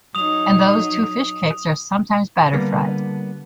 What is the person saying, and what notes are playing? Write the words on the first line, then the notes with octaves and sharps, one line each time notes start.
And those two fish cakes are sometimes batter-fried.
F#3 D#4 D#6 F7
D3 G3 A#3 B3